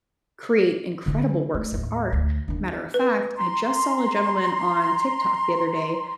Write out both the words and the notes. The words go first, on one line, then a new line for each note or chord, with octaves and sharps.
create incredible works of art. Matter of fact, I just saw a gentleman on TikTok the other day
D3 F4
A3
D#2 A2
D2
D#2 D4
B4
A#5 C6